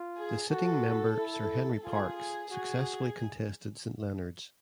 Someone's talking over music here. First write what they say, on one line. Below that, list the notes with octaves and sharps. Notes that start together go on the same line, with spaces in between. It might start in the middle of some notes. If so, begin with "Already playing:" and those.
The sitting member Sir Henry Parkes successfully contested St Leonards.
Already playing: F4
G#4
F#4 A4
E4
F4 G#4
G#4
F#4 G#4